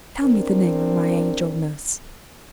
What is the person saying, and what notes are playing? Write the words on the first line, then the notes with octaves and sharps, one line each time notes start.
"Tell me the name of my angel nurse."
E2 C4 D4 A#4